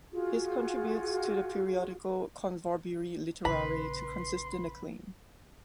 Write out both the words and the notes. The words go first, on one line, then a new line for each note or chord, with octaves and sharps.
His contributes to the periodical "Convorbiri Literare" to consistent acclaim.
F4 F#4 G#4
A#1 C#3 B4 B5 C6